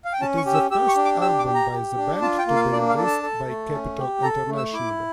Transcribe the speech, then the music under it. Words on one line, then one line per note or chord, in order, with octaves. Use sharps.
It is the first album by the band to be released by Capitol internationally.
F5
G5
C#4 A5
C#6
G4
E6
G4 E6
C#6
D4
D6
G4 E6
D6
G4
A#5
G4
D4
F4 A5
G5
A#3
F5
D4 D5
F5
A4
A5
A4
A3
C#4
G4
A4 A#5
A3
E6
E4 D6